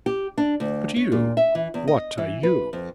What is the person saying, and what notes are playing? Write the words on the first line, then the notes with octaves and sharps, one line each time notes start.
But you--what are you.'
G4
D4
D2
C#5
A#2
E5
E3
E2
D#5
E3
B4
F2